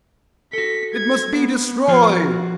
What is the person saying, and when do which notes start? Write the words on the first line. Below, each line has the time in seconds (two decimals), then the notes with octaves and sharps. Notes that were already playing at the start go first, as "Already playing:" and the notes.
"It must be destroyed!"
0.53 F#4 A4 B6
0.95 G#6
1.37 B3
1.88 F3 F4 G#4
2.19 F#4